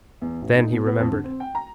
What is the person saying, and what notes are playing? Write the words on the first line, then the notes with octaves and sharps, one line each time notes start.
Then he remembered.
E2
A1
D#4
B2
B3
F2
D3
C4
G5
A#5